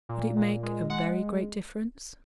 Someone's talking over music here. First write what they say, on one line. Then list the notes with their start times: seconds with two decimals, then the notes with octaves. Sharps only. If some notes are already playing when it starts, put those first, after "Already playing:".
Would it make a very great difference?
0.09 A#2
0.37 A#2
0.63 G#3
0.90 G#3 F#5